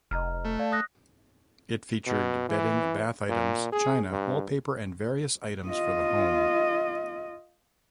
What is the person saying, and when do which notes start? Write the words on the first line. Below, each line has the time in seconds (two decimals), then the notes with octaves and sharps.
It featured bedding, bath items, china, wallpaper and various items for the home.
0.11 F1 D#5 A#5 F6
0.45 A3
0.59 D5 F5 A5
0.72 D#6 F#6 A#6
2.07 B2
2.49 E3
3.29 A#2
3.72 G#4
4.11 G2
5.68 F4 D#5